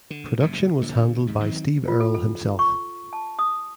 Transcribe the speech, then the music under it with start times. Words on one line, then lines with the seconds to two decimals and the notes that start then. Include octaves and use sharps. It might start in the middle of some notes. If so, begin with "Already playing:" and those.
Production was handled by Steve Earle himself.
0.10 D3
0.40 F#1 G#2 C3
0.81 G2 A#2 D3
1.27 D#2 G#2 C3
1.45 D#3 E3 F#3 C4
1.88 F4
2.00 A4
2.15 A4
2.59 C#6
3.13 A5
3.39 D#6